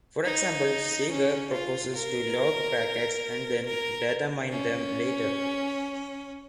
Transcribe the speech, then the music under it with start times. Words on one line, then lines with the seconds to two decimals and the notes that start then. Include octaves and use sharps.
For example, Sager proposes to log packets and then data mine them later.
0.25 D#4
1.10 C#4
1.53 F4
1.95 A#4
3.66 A#4
4.52 C#4